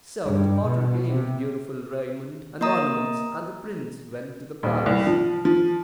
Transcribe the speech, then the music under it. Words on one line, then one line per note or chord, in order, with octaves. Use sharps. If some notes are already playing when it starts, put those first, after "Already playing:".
So the potter gave him beautiful raiment and ornaments, and the prince went to the palace.
G2
B2
C3
A#3 D#5 A#5 D#6
D#1
C2
F3
F3